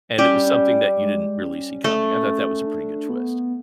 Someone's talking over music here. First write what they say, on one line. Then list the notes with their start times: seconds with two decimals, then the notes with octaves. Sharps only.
and it was something that you didn't really see coming. I thought that was a pretty good twist.
0.18 G3 C#4 G4
0.46 C#4
1.02 G#3
1.43 C#4
1.84 A3 A4
2.67 D4
3.09 B3